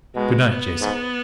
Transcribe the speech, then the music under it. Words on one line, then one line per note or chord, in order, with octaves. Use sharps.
"Good-night, Jason."
B2 G#3
B3
G#2